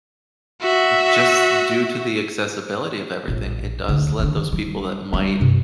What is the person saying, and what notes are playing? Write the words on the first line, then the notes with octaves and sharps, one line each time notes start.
just due to the accessibility of everything, it does let those people that might,
F#4 E5
A#1 A2
D2 D3
D#3 D4
G3
G3 D4
G2 C3